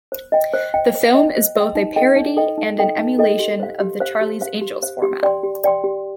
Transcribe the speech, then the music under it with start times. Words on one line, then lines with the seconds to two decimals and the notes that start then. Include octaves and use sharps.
The film is both a parody and an emulation of the "Charlie's Angels" format.
0.12 C5
0.32 D#5 G5
0.54 C5
0.74 D#5 G5
0.94 C5
1.15 D#5 G5
1.35 C5
1.56 D#5 G5
1.75 D#4
1.96 A4 D#5 G5
2.16 D#4
2.37 A4 D#5 G5
2.58 D#4
2.78 A4 D#5 G5
2.98 D#4
3.19 A4 D#5 G5
3.39 G4
3.60 C5 F5
3.80 G4
4.00 C5 F5
4.21 G4
4.41 C5 F5
4.61 G4
4.83 C5 F5
5.02 G4
5.23 D5 G5 C6
5.43 G4
5.64 D5 G5 C6
5.84 G4